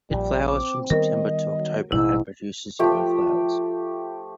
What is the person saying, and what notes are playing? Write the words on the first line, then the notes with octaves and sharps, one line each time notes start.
It flowers from September to October and produces yellow flowers.
A#1 A#2 G3
C4 D6
D#3 G3 B3 A#4 D#5
F#3
A1 G#2 B2 E4 E6
F3 A3 G4 G5